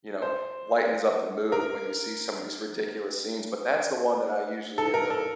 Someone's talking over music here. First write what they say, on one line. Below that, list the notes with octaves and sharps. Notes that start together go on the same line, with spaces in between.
you know, lightens up the mood when you see some of these ridiculous scenes, but that's the one that I usually end up
C5
A#4
A4
A#4
A4